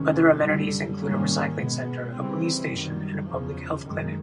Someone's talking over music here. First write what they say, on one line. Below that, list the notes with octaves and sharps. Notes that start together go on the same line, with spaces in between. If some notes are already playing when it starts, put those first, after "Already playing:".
Other amenities include a recycling centre, a police station, and a public health clinic.
Already playing: E2 C3 D#3 G#3 C#4
F#2 D3 G3
G#2 D#3 G3 A#3 C#4
B2 G#3 B3
C#3 E3 G3 C4
F#2 D#3 G3
E2 C#3 F3
F#2 D#3 G#3